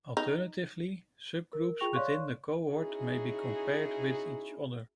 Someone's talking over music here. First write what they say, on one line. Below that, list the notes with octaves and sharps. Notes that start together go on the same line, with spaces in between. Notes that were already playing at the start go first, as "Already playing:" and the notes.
Alternatively, subgroups within the cohort may be compared with each other.
D#4
A#4
F4 G#4 G5 C#6 A#6 F7
C#5 D5 F5 C6 C#6 F#6
C#4 D#4 E4 F#4 G#4